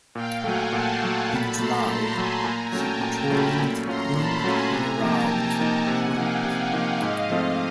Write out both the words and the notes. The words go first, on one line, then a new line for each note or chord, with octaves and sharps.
In July, she patrolled in and around Truk.
A#2 F5 G5
F#3 A3 F#5 G#5
A#2 G5 A5
F#3 A3
A#2 A5 B5
F#3 A3 A#5 C6
A#2 A5 B5
F#3 A3 G#5 A#5
A#2 G#5 A#5
F#3 A3 C#4 F4 G5 A5
A#2 G#5 A#5
F#3 A3 C#4 F4 A5 B5
A#2
F#3 A3 C#4 F4 A#5 C6
A#2 A5 B5
F#3 A3 C#4 F4 G#5 A#5
C3 G#5 A#5
F3 A#3 D#4 G5 A5
C3
F3 A#3 D#4
C3 F#5 G#5
F3 A#3 D#4 F5 G5
C3
F3 A#3 D#4
G#2 D#5 F5
F3 A3 C4 F4